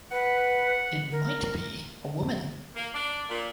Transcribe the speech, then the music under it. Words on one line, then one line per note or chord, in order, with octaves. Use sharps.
It might be a woman.
B4 F#5
A#4
A#3
D4
A#2